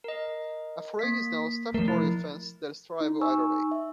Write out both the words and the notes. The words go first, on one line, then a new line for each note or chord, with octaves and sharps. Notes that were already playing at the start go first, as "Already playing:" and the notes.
Affray is now a statutory offence that is triable either way.
A#4 D#5
A#3 B6
F3 A3 A#4
E4
D#4
G#5 C#6 E6
E5